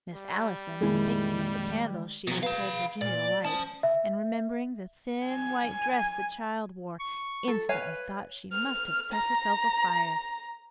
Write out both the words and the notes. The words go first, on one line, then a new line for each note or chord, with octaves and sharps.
Miss Allison, thinking of the candle she had told Virginia to light, and remembering the thin, white dress the child wore, instantly thought she must have set herself afire.
G3
F2 A#2 D#3 G#3 E4 G#4
B2 F#3
B4 F5 B5
A#2 D5
C#4 C5 A5
E5
G#5
C#6
A4
B4 C#5 F5 G#5
F6
A#5